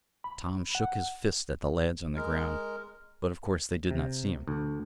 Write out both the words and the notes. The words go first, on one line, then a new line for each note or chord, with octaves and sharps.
Tom shook his fist at the lads on the ground, but of course they did not see him.
B5
F#5
G#3 A#4
C3
D2